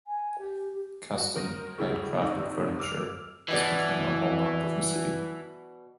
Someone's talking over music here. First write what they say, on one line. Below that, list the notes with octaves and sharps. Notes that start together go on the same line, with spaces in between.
Custom hand-crafted furniture has become a hallmark of the city.
G#5
G4
G4
F#4
F#4 A#4 C5 D#5
D2 C#3 E4 G4 C#5 E6
G#1 G2 C3 D#4 D5 E6
D6 E6 F6 D7 F7
B2 E3 F#4 D5